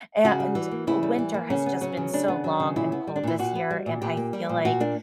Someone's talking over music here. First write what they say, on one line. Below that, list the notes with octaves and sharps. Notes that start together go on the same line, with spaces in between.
And winter has just been so long and cold this year, and I feel like
C#3 F#4
G3
E3
A#3
C#3 E4
G3
E3
A#3
C#3 C#4
B3
F#3 C#4
C#3
C#3 D4
B3
F#3
C#3
A#2 E4
B3
G3
D4
A#2 E4
A#2 F#4
B3
G3
A#2
A#2 G4
A#3
G3
A#2
A#2 F#4
A#3 D4